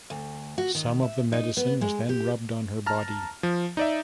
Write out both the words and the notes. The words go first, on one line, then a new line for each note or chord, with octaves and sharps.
Some of the medicine was then rubbed on her body.
D2
F#4
D#3
E5
D#4
B3
G#3
G4
A5 A#5 F6
F3
D#4 D5 E5